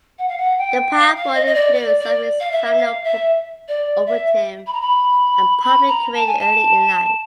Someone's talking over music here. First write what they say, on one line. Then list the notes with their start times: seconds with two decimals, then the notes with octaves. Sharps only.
The powerful influence of his family opened him a public career early in life.
0.18 F#5
0.28 F5
0.37 F#5
0.58 G5
0.96 F5
1.15 F5
1.34 D#5
1.46 D#5
1.54 D5
1.74 D5
1.99 D5
2.40 F5
2.51 E5
2.77 F5
3.04 E5
3.68 D5
4.06 E5
4.66 B5
4.73 A#5
4.81 B5
5.62 B5
5.88 A#5
6.14 A5
6.26 G#5
6.39 A5